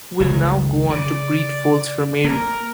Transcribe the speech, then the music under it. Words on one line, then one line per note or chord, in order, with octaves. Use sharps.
Will now go on to breed foals for Mary.
F#1 C#2 G2
C#3 D5
A#3 A#4